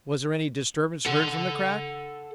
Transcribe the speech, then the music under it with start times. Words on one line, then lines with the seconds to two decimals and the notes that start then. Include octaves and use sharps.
"Was there any disturbance heard from the crack?"
1.06 A4 F#5